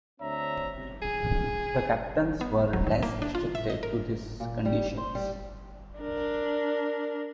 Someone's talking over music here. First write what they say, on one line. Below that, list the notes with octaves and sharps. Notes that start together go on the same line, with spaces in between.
The Captains were less restricted to these conditions.
D2 C4 D4 C#5 E5 A#5
G#4
B3
F#3
D#3
A#3
D4
F4
E5
D#5
A#4
A#2
G3
C5
G3
D4 A#4